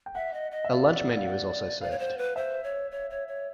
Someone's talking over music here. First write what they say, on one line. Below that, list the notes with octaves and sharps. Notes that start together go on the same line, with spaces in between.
A lunch menu is also served.
G5
E5 F#5
D#5
D#5
E5
D5 F5
F5
F#5
D5 F5
C#5
C5
B4
C5 E5
C#5
C#5
C#5
C#5